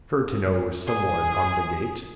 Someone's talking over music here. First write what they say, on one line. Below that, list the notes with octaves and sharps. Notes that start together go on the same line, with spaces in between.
Sure to know someone on the gate.
G#4